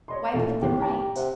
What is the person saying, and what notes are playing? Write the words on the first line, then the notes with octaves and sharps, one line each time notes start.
Why put them right?
C#5 D#5 C6
A1 A#2 A3
A1 D#3 G4
G4 A#5
C3 F#5